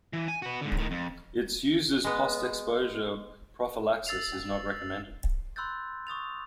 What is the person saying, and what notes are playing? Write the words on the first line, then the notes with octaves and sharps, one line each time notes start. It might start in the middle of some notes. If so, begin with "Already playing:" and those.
Its use as postexposure prophylaxis is not recommended.
E3
G#5
F#4 B4
G#2 D3
A2 D#3
F2
G#3 B3
E6 A6 C7 F7
B5 C6 E6 F#6 G6 A6
C#6 D#6 A6 F7